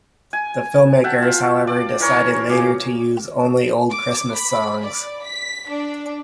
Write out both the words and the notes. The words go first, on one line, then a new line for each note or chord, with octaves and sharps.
The filmmakers however decided later to use only old Christmas songs.
G#5
E5 F#5 G5 A5
F4
D5
E3 A#4 C#5
A#2 G#4 D6
D6
B5
D5
B6
D4